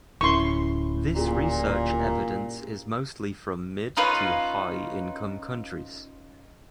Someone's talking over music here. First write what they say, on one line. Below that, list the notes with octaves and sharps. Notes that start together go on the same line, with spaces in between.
This research evidence is mostly from mid- to high-income countries.
D1 C#4 E4 A#4 C6 C#6
A#2 B3 G4 G#4
C#4 D#4 F4 B4